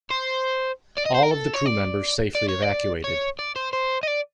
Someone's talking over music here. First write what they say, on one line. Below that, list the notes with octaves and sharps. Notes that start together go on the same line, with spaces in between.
All of the crew members safely evacuated.
C5
D5
D#5
C5
A#4
A4
C#5
D5
D5
C#5
D5
C#5
D5
C5
C5
D#5
D5